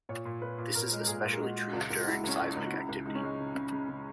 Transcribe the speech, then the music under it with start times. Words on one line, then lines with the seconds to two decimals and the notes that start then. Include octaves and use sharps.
This is especially true during seismic activity.
0.09 A#2 C#5
0.25 A#2
0.42 A#2 B4
0.58 A#2
0.75 A#2 A#4
0.92 G#3
1.07 A#2 G#4
1.24 A#2
1.32 G#4
1.41 G#3 F#4
1.58 G#3
1.73 C#2
1.90 C#2
2.01 F#4
2.07 G#3 E4
2.24 C#2 C#4
2.40 C#2
2.51 D#4
2.57 C#2
2.66 F#4
2.73 C#3 E4
2.89 C#2
3.05 G#3 D#4
3.15 C#4
3.23 G#3 D#4
3.39 C#3
3.55 C#3
3.72 C#3
3.89 C#3